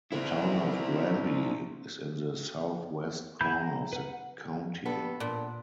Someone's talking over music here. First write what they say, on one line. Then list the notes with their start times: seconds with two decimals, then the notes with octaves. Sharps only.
The Town of Granby is in the southwest corner of the county.
0.12 C4 E4
3.41 E3 E4 B5 G6
3.56 A#5
3.93 B4 F#5
4.85 G2 B3 A4
5.20 A#2 D4